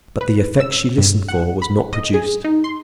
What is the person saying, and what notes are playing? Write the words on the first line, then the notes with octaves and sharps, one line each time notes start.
But the effect she listened for was not produced.
B4
E6
G2
F#5
B5
D#5
G#4
D#4
C6